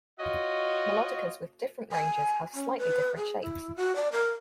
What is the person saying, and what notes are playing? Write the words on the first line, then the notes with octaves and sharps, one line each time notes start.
Melodicas with different ranges have slightly different shapes.
F4 F#4 C#5 D#5
G#5
C#4
B4
G#4
E4
F#4
D5
A#4